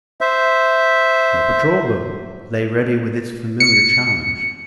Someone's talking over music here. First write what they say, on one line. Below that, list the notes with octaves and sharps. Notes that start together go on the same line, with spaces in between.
No patrol boat lay ready with its familiar challenge.
C5 E5
C#7